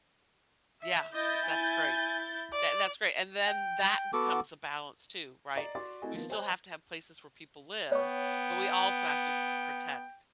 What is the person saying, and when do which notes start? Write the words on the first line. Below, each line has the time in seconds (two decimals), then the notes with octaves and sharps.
Yeah. That's great. That that's great, and then that becomes a balance too, right? We still have to have places where people live, but we also have to protect
0.81 E5
1.13 E4 D#5 G6 A6
1.45 G#5
2.53 D5
3.47 G5
4.13 B3 F#4 A4 D6
5.55 D5 D#5 A#5 C7
5.75 F#4 D5 C6 D6 A6
6.02 A3 C4 E4 F#4 D#5 G#5
6.13 D#3 F3 A#3 B3
6.30 C5 C#5 D#5 G#5 A#5 F#6
7.92 B3 C#5 G5 C#6